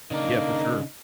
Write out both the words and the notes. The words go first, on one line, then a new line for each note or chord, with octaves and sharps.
Yeah, for sure.
C#3 A#3 D4 D#4